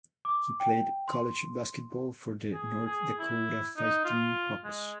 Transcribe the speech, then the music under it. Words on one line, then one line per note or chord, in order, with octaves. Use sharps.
He played college basketball for the North Dakota Fighting Hawks.
D6
G5
C6
G#4
G#4
E4
D#4
F4
G#3